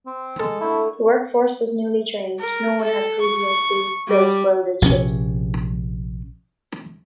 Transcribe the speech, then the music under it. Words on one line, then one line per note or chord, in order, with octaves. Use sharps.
The work force was newly trained - no one had previously built welded ships.
C4
G#3 A4
D3 A3 E4
A#4
A4
C#6
G3
A#1 C3 F3 C#4